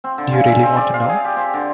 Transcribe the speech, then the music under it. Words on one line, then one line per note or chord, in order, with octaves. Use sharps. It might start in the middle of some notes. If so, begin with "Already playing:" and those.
Do you really want to know?
C4
D3
C#3
E5
C4
D5
F5
G#4
G4
C4
D3